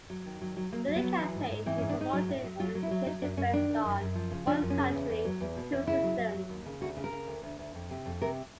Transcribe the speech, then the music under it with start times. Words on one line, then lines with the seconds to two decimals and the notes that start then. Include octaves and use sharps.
During the campaign, he promoted unification based on "one country, two systems".
0.10 F#3
0.26 D#3
0.41 F#3
0.57 F#3
0.72 F#3 A#3
0.88 F#3
0.96 B3
1.04 F#3
1.19 E3
1.35 G#2
1.50 G#2
1.66 E3 C4
1.78 C#4
1.81 G#2
1.89 D4
1.97 G#2 D#4
2.13 F#3
2.28 A2
2.44 F#3
2.60 F#3 F4
2.75 F#3
2.83 E4
2.91 F#3
3.06 F#3 D#4
3.22 F#2 D4
3.37 F#2 C#4
3.53 D#3 D4
3.69 D#3
3.84 F#2
4.00 F#2
4.15 F3
4.31 C#3
4.47 F3 D4
4.62 F#2
4.70 C#4
4.78 C#3
4.94 E2
5.10 E2
5.25 F#3
5.40 E2
5.56 B2
5.72 E2
5.87 C#3 E4
6.03 F#3
6.18 F#3
6.34 F#3
6.50 D#2
6.65 C#3
6.81 D2 F#4
6.97 C#3
7.04 A#4
7.12 C#3
7.28 D2
7.43 D2
7.59 D2
7.75 F2
7.90 C3
8.06 F2
8.21 C3 A#4